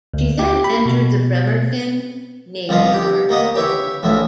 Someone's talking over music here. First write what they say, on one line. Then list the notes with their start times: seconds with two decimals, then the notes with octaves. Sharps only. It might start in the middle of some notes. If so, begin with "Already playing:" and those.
She then entered the Bremerton Navy Yard for overhaul.
0.14 D2
0.39 G4
0.64 B5
0.86 B2
2.69 C2 F3 B3 D#5 F5
2.93 G4
3.29 A#3 B3 D#5 F#5
3.55 G4 B4 C#5 E5
4.03 A#1 E2 A2 E5